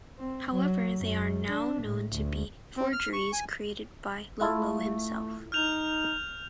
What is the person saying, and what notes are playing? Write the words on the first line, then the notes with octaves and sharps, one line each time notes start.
However, they are now known to be forgeries created by Iolo himself.
C4
F#3
F#2
D4
A2
D2
C4
F6
C#6
G#5
A3 E4 F4 A4
D#4 F6 G6 F7